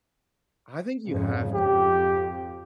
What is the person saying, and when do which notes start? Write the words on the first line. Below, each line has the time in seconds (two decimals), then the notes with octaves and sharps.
I think you have to,
1.09 F2 G#2 C#3
1.54 F2 G4